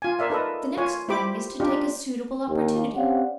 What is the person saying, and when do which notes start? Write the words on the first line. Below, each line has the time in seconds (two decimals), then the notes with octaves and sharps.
The next thing is to take a suitable opportunity.
0.02 F4 G#5
0.19 A#4 D5 E5 F5
0.30 D#4 A4 B4 D#5
0.77 F4 C#5 G#5
1.09 E4 G4 C5 B5 D6
1.60 D4 D#4 F4 G4
2.49 D#2
2.96 C4 C#4 G4 D5 F5 F#5